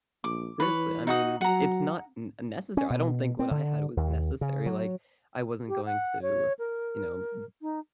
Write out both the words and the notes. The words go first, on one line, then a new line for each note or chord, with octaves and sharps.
seriously, I mean, it's not n necessary, I don't think what I had was necessary, like, I wasn't going to, you know, b
A#1 D6
E3 B4 C#5
D#4 F#4 D#6
F#3 F#5 A#5
C#4
B2
C4
D3
D#2
C#3
F#3
G4
F#5
C#5
A#4
D#4